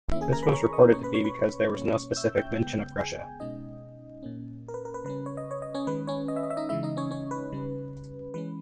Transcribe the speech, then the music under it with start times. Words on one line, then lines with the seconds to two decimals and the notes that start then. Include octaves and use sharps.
This was reported to be because there was no specific mention of Russia.
0.11 D#3 A#3 C#4 E4 E5
0.21 G#4 G#5
0.33 A#4 A#5
0.43 B4 B5
0.53 C#5 C#6
0.73 D#5 D#6
0.93 B2 A#3 C#4 C#5 C#6
1.03 B4 B5
1.14 C#5 C#6
1.24 B4 B5
1.75 B2 G3 A#3 C#4 C#5 C#6
2.12 G6
2.17 E5 E6
2.37 G5 G6
2.58 C#3 G#3 B3
2.99 G#4 G#5
3.40 B2 G#3 C#4 D#4 D#5
4.23 A#2 A#3 C#4
4.68 A#4
4.74 B4
4.85 A#4
4.94 B4
5.05 C#3 G3 C#4 B4
5.26 C#5
5.37 D#5
5.51 C#5
5.62 D#5
5.74 C#4 C#5
5.87 D#3 G#3 C#4 B4
6.07 C#4 C#5
6.28 D#5
6.36 E5
6.43 D#5
6.50 E5
6.57 D#4 D#5
6.69 C#3 E3 G#3 E4 E5
6.83 D#4 D#5
6.97 C#4 C#5
7.11 C#4 C#5
7.31 B4
7.52 C#3 G3 C#4
8.34 E3 G#3 C#4 B4